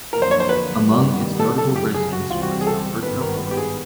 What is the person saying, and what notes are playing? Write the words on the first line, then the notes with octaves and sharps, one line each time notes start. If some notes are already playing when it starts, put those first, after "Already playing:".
Among its notable residents was Alberto Arroyo.
F2 D3 F#3 A#3 A#4
C5
C#5
C5
B4
G2 D#3 G3 B3
A4
G1 F#2 C#3 A4
G4
G#4
F#4
C#2 C3 E3 G3 C4 F4
F#4
G#4
A4
G#1 G2 D#3 G3 B3 B4
A#4
G4
G#4